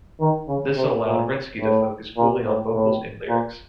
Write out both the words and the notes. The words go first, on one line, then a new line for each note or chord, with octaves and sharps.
This allowed Renkse to focus fully on vocals and lyrics.
D#3
C#3
C3
A#2
A2
A#2
A2
A2
A#2